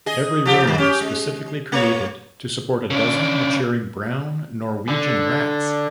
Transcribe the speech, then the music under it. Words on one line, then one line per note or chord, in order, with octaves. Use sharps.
Every room was specifically created to support a dozen matured brown Norwegian rats.
G#4 D#5
F3 G4
G2 D#3
C#4 G4
G#3
A3 A#3 C#5
C#3 D4
D3